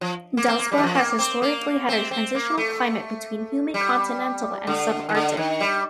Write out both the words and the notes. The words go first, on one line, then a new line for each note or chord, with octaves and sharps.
Delsbo has historically had a transitional climate between humid continental and subarctic.
F3
A#3
C4
A#3
G3
D#3
F3
A#3
C4
A#3
C4
C4
A#3
A3
G3
D3
D#3
D3
D#3
G3